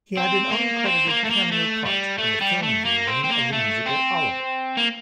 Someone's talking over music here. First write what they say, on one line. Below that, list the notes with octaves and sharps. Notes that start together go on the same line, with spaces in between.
He had an uncredited cameo part in the film version of the musical Oliver!
C4
A#3
C4
A#3
A3
A#3
A3
G3
A3
G3
A3
A#3
C4
C4
A#3
A3
C4
A#3